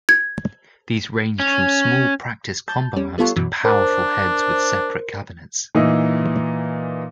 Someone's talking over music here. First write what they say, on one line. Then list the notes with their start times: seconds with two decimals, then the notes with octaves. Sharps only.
These ranged from small practice combo amps to powerful heads with separate cabinets.
0.09 G#6
1.40 C#4
2.68 A5 G6
2.96 G3 C#4
3.18 G3 A3 B3 F4 A4 C#5
3.36 F#2 B2 E3 F#3
3.65 D4 A#4 C5
5.75 A#2 E3 D#4